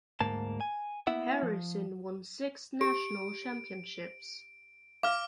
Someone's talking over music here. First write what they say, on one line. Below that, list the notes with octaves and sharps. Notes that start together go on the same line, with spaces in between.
Harrison won six national championships.
D2 G#2 A#3 A5
G#5
A#3 B3 E4 E5 F#5
F3
G4 D7
F5 D6 F6